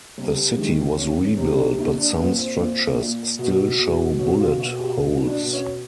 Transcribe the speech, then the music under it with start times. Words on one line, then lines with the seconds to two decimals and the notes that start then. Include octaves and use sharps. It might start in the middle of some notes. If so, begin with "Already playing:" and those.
The city was rebuilt but some structures still show bullet holes.
0.18 C3 G3
0.57 D#3 G#3
0.98 D#3 C#4
1.25 C#4
1.38 C3
1.52 D4
1.78 A#2 D#4
1.98 D4
2.19 A#2 B3
2.38 C4
2.58 A#2
2.99 A#2
3.39 B2
3.79 B2
4.19 B2 C#4
4.40 F4
4.60 B2 F#4
4.79 G4
4.99 B2
5.27 D4
5.39 B2
5.53 C#4